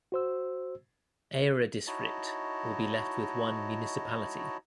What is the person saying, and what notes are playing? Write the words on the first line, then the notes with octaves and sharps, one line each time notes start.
Aira District will be left with one municipality.
F#4 C5 E6
D#4 E4 F#4 C#5 D#5 A5